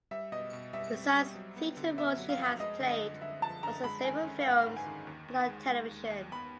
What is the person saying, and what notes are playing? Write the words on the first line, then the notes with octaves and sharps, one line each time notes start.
Besides theatre roles she has played also in several films and on television.
G3 E5
B2 D#5
B2
G3 E5
C4
G3
F#3
B3
D3
B3 E5
F#3
F5
F2
G#3 D#5
D3
D#5
D3
D3 E5
F3 A5
D3 A#5
G#3 B5
D#3 G#5
C#4
F5
G#2 F#5
G#2
G#5
D#3
D#2
D#2
G#3
G#3
D#2
D#2
B3 B5